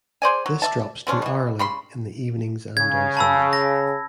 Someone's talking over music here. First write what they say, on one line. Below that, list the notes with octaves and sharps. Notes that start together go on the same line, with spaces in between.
This drops to hourly in the evenings and on Sundays.
G#4 C5 D5 G#5
F#3
D5 E5 A5
D3 F3 C#4 D4
B2 E3
C#3 B5 C6
C#3 G#6
A5 B5 E6
A#6